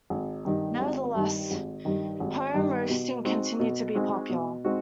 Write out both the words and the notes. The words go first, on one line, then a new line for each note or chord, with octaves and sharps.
Nevertheless, home roasting continued to be popular.
G#1
G2 D#3
G#1
G2 D#3
G#1
G2 D#3
G#1
G2 D#3
B2
G#3 C4 D#4 F#4
B2
G#3 C4 D#4 F#4
B2
G#3 C4 D#4 F#4